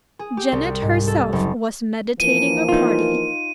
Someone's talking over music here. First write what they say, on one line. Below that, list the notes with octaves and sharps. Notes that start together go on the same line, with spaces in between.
Janet herself was meditating a party.
G#4
G4
C2
G#2
A4
F#1
E3 F3 A#3 D#7
D#4 F4